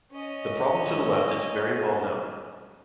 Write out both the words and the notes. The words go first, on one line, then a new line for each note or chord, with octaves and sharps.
The problem to the left is very well known.
C#4 D#5